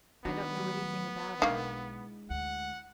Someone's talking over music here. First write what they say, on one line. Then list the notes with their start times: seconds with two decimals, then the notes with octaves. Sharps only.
"I don't know anything about him."
0.25 D#3 B3 D4 D#4 F#4
0.55 A2 F#3
1.42 B1 D#3 G#3 A#3 D4 E4
2.30 D2 F#5